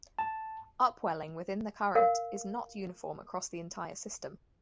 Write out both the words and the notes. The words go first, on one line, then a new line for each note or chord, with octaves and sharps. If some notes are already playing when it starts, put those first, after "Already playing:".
Upwelling within the current is not uniform across the entire system.
A5
A#4 F5